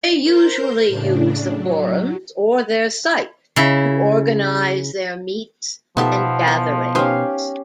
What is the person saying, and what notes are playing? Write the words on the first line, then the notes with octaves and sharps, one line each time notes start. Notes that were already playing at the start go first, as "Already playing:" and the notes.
They usually use the forums or their site to organize their meets and gatherings.
A#4 C5 G6
A2 C#3 D4
F#3
C#3 E4
B2 F3 B3 D#4 G4 A4 E5
E3
C#4 D#4 G4 B4 C5 F5